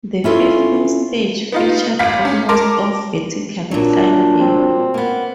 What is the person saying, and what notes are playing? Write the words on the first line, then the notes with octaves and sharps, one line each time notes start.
The fifteenth stage featured almost of vertical climbing.
C#4 E4 F4 A4 C#5
B3 D#4 F4
G#1 F5 B6
C#4
A#4 A5 C6 D6
A#2 F#3 D4
C4
A#3 B3